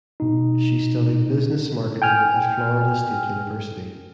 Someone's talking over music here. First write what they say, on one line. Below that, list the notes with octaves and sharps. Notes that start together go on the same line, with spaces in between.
She studied Business Marketing at Florida State University.
B2 D#4
G5 G#5 F6